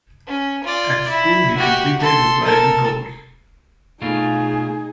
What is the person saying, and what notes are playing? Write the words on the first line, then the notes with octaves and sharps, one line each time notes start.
At school, he completed a gliding course.
C#4
F4 D5
E4
F#4 G4
A4 C6
A4 A#4
B2 A3 D#4 F4 G#4